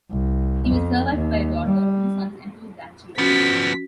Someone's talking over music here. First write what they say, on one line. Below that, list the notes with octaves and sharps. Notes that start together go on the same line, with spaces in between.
He was survived by a daughter, two sons and two grandchildren.
C2
F2
D#2
G3
F3 B3 C#4 F#4 B6